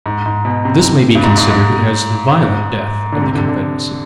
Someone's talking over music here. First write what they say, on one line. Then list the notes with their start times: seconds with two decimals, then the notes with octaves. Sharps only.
This may be considered as the violent death of the Confederacy.
0.06 G#2
0.26 G#2
0.45 B2
0.65 C3
1.15 G2
1.23 G#2
1.37 G#2
1.50 G#2
2.42 G#2
3.12 D3
3.22 C3
3.35 D3
3.48 D3